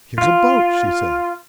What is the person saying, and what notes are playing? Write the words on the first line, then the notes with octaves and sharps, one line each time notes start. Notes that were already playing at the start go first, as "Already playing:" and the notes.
"Here's a boat!" she said.
F4